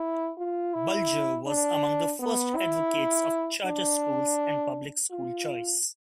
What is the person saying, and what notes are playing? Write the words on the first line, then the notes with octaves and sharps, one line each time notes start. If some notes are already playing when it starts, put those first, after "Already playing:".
Bulger was among the first advocates of charter schools and public school choice.
Already playing: E4
F4
E4
D4
B3
E4
D4
F4